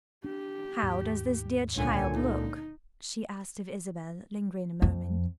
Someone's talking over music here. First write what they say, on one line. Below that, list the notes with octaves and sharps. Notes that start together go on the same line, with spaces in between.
"How does this dear child look?" she asked of Isabel, lingering a moment.
D4 G4
D#2 G#2
C#2 A#2 D3 C#5 G#5
D#4
F2